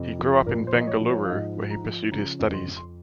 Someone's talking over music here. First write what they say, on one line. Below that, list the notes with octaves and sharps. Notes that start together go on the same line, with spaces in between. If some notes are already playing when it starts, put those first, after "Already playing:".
He grew up in Bengaluru, where he pursued his studies.
Already playing: F2 C3
F3
A#2 A#4
C5
F3
D#5
C#5
F3
C#5
F5
G#2 D#5
F3
A#5
F3
C#3 A#5
F2
C6
F2
C6